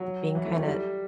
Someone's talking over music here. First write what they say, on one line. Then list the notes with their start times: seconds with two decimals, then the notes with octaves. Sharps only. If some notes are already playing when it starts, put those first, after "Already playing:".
being kinda
Already playing: F#3
0.35 E3
0.45 A3
0.56 A3
0.67 G3